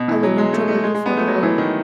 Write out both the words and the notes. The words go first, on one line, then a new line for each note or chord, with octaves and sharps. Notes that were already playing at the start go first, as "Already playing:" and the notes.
I would not trouble you for the world.
Already playing: B2
E3
F#3
G#3
A3
A3
G#3
G#3
B3
A3
F#3
E3
D#3